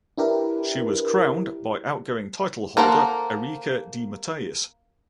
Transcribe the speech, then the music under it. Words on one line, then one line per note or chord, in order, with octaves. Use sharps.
She was crowned by outgoing titleholder Erica De Matteis.
D4 E4 G4 A#4 B4
A#3 A4 A#4 C5 F#5